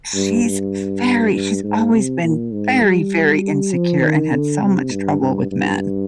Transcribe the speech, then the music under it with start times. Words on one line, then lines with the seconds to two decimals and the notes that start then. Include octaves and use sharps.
She's very she's always been very, very insecure and had so much trouble with men,
0.14 G2
0.45 G2
1.33 G2
1.63 G#2
1.93 C3
2.23 A#2
2.53 G#2
2.83 G3
3.72 F3
4.02 D#3
4.32 D3
4.62 C3
4.92 G2
5.22 G2
5.51 G2